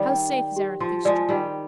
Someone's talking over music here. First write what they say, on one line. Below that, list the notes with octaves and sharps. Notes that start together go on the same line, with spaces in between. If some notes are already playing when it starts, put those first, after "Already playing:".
How saith Zarathustra?
Already playing: D#3 G3 D5
G5
G5
G4
F3 C6
F3 G#3 D5
D#3 G3 G5